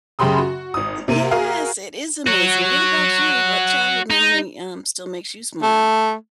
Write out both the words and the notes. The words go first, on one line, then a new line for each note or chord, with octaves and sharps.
Yes! It is amazing, what about you? What childhood memory, um, still makes you smile?
F#2 C#3 G4 B5 C6 D#6
F#4
G#1 D#6
C3 A#3 D#7
F#4 G#4 A#4 F5
F#4 C#5
D#4
A3